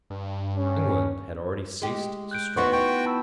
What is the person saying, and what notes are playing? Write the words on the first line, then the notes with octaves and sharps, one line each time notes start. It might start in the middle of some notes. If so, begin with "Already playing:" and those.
England had already ceased to struggle.
G2
C#4
G#3 G4
F#6 G6 D7
E3 B3 D#4 F#4 F#5 C6 C#6
F#4 G5
A5 B5 E6